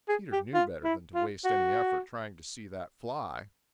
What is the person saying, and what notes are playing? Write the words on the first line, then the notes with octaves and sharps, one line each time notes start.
Peter knew better than to waste any effort trying to see that fly.
G#4
G4
F4
E4
F4
F#4